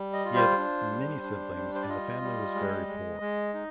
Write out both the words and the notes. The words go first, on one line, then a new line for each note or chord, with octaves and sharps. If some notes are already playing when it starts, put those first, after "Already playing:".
He had many siblings and the family was very poor.
Already playing: G3
D#5
F4
C5
D4
G3
D4
G3
C5
D5
F4 D#5
G3
G#3
G#3
G#3
D#4